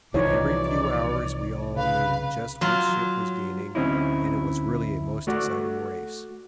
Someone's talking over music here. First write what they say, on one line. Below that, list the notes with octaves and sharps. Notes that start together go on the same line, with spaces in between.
Yet every few hours we all knew just which ship was gaining and it was really a most exciting race.
C2 E3 F3 D#4 C#5 D5
C#3 B4 F5
F#3 F4
D2 C4 C#4 D#4 E4
A3 F#4 D5